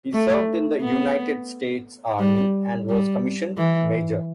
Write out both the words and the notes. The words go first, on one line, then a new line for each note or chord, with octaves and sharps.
He served in the United States Army and was commissioned major.
A3
B3
G3
G3
E3